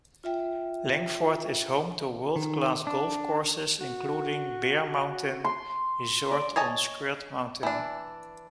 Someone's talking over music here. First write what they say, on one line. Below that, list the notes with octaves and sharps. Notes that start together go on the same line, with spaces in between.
Langford is home to world-class golf courses including Bear Mountain Resort on Skirt Mountain.
F4 E5 G5
D#3
D4
F#4
C6
D5
C#5 D#5 G#5 A5
E3 D4